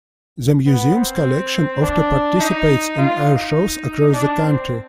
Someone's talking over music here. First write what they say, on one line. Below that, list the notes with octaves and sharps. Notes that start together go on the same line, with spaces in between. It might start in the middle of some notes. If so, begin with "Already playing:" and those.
The museum's collection often participates in airshows across the country.
B3
C4
D4
D#4
F4
D#4
D4
C4